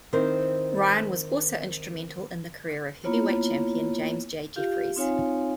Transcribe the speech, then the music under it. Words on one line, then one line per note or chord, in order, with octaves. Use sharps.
Ryan was also instrumental in the career of heavyweight champion James J. Jeffries.
D#3 C4 E4 A#4 C5
A#3 B3 E4 F4 C#5
F4 G4 F5
C4 D#4 F4 C#5 F5 G#5